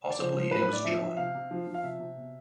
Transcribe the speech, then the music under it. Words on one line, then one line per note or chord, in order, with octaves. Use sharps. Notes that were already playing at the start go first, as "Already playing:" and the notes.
Possibly it was John.
D5
F3 C5
F3
A2 B4
B4
A2 D5
F3 E5
F3
C3 F5
C3
F3
F3
F5
C3 E5
C3
B2